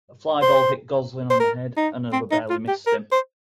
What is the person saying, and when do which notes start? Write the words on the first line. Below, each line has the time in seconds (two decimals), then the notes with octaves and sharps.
A fly ball hit Goslin on the head, and another barely missed him.
0.42 C5
1.30 C5
1.40 A#4
1.77 D#4
2.13 C4
2.32 D#4
2.50 F4
2.68 G4
2.87 A#4
3.12 C5